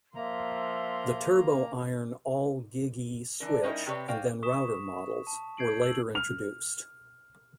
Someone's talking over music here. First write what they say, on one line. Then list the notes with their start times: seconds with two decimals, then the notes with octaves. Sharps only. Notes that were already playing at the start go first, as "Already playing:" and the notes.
The TurboIron all GigE switch and then router models were later introduced.
0.15 F3 A#3 E5 A#5 C6
3.40 E3 D4 A#4
3.63 G3 C#4 D#4 E4 A#4 D#5
3.86 C3 C4 G4 B4 C#5 D5
4.08 F#4 C5 D5 F5 G5 G#5
4.43 C#6 D#6 B6 E7
5.27 A5
5.57 G6 G#6 C7 D7 F#7
5.81 E6 F#7
6.15 F6 F7